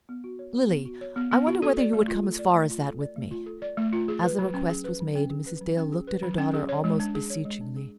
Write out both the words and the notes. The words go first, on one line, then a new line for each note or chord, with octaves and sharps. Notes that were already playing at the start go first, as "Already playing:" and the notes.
"Lily, I wonder whether you would come as far as that with me." As the request was made Mrs. Dale looked at her daughter almost beseechingly.
B3
F#4
C#5
B3
B3
F#4
C#5
B3
B3
F#4
A4
D5
A3
F4
A4
D5
A3
F4
A4
D5
A3
F4
A4
D5
A3
F4
G#4
B4
F#3
C#4
G#4
B4
F#3
C#4
G#4
B4
F#3
C#4
G#4
B4
F#3
C#4
G#4
C#5
G#3
D4
G#4
C#5
G#3
D4
G#4